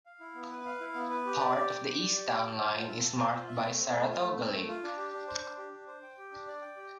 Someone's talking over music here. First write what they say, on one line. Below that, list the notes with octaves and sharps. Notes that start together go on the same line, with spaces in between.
Part of the east town line is marked by Saratoga Lake.
F5
E4
B3
B4
F5
E4
B3
B4
G4
D5
G4
G5
G4
D5
G4
G5
A5
C5
F4
E5
A5
C5
F4
E5
A3
C4
A3
F4
A3
C4
A3
F4
D4
G4
D4
C5
D4
G4
D4
C5
G5
G4
D4
D5
G5
G4